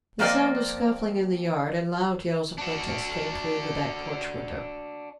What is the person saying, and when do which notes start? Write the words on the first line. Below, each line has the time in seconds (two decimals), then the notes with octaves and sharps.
The sound of scuffling in the yard and loud yells of protest came through the back porch window.
0.19 F3 A#3 C4 G#4 D5 D#5
2.58 D4 F#4